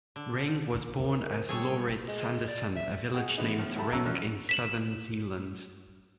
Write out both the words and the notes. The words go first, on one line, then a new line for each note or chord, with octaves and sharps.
Ring was born as Laurits Andersen a village named Ring in southern Zealand.
D3
F3 A#4
G3 C4 D4 G#4 A4 C#5
G#3
D5
E5
F#4 G#4 D#5 F#5 G5
D3 E3 G#3 B3 D#4
A2 F3 B3
B1 E4 G4 A4 A5 B5
F#3 C#4 A4 E5 A#5 F#6
F#2 F3 D4 F#6
B6 E7 F#7